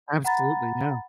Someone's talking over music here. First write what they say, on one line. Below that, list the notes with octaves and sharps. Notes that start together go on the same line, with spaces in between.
Absolutely, yeah.
F#5 A#5 B5 A6